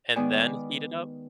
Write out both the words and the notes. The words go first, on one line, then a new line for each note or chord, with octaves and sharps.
and then heat it up
D#3 G#3 B3 D5 G#5 D6